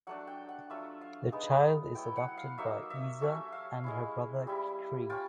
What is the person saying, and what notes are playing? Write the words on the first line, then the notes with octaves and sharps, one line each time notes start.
The child is adopted by Iza and her brother Creb.
F#3 A3 D4 F#5
G5
F#5
F#3 A3 D4 F4 E5
F5
G#3 B3 D#4
F#3 B3 E4 G5
F#5
F5
F#3 A#3 D#4 E5
E5
F#3 A3 C#4 E5
F5
G#3 C#4 E4
G3 C4 E4
C#4 F4 G5